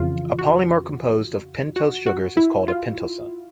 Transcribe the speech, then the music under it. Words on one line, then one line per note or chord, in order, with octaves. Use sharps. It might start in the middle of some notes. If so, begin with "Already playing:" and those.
A polymer composed of pentose sugars is called a pentosan.
Already playing: F2 C#3 E3 F4
F#4
F#4
F#4
E4
F4